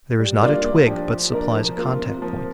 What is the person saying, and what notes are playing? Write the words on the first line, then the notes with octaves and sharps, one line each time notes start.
There is not a twig but supplies a contact-point.
G3
A#3 D4 F4 D5
A#2
F3 D4 G4
F3
A#3 D4 A#4 D5
F3
A#3 F4
C3
F3 A#3